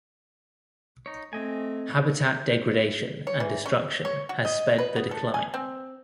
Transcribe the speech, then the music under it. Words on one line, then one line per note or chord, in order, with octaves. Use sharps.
Habitat degradation and destruction has sped the decline.
D#4 C#5
A3 C4 D#5 G#5
C#5
E3
C#4
C#5
F#4
D#5
B4
B3
A4
G#5
C4